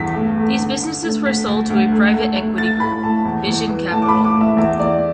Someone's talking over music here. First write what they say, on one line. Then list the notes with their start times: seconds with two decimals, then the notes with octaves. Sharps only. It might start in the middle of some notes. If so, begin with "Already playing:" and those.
These businesses were sold to a private equity group, Vision Capital.
Already playing: E2 G2 B6
0.14 A3
0.38 A3
0.59 D3
0.82 D3
1.03 A3
1.26 D2 B6
1.48 D2
1.70 D2
1.92 A3
2.14 A3
2.36 A3
2.58 A3 A6
2.80 A2 B5
3.03 A2 A5
3.25 E2
3.47 E2
3.69 E3
3.91 A2 A5
4.02 D6
4.08 A2 B5
4.24 D6
4.36 A2
4.41 E5
4.57 E2 E5
4.79 E2 D5